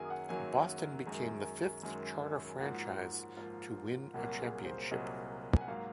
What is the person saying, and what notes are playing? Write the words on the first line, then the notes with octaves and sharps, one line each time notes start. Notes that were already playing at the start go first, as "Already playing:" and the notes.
Boston became the fifth charter franchise to win a championship.
Already playing: F#2 D#3 F#3 A#3 G#4 A#4 G#5
F#5
F#2 D#3 F#3 A#3 G#5
F#2 D#3 G#3
F#2 D#3 G#3
G#2 F3 A#3 F#4
G#2 F3 A#3 F4
C2 A#2 F#3 A#3 F#4
G#4
C5
C2 A#2 F#3 A#3 D#5
G#5
F#5
G#2 F#3 A#3 F5